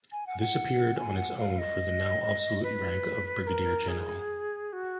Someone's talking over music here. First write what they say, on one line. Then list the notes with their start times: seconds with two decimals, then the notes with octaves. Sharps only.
This appeared on its own for the now obsolete rank of brigadier-general.
0.12 G#5
0.27 F#5
0.41 F#5
0.97 G#5
1.17 F#5
1.38 F5
1.58 D#5
2.63 B4
3.47 A#4
3.88 G#4
4.73 F#4